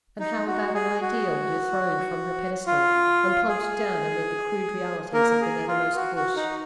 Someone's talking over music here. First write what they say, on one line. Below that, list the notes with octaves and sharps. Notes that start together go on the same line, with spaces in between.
And how about an Ideal dethroned from her pedestal and plumped down amid the crude realities of the nethermost Bush?
D#4
F#4
G#4
F#4
F4
G#4
A#3 A#4
A#4
G#4
F4
F#4
F#4
D#4